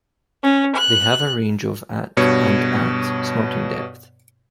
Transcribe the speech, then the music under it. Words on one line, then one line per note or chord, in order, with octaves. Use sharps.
They have a range of at and at snorting depth.
C#4
F#6
G2 B2 C#5 C#7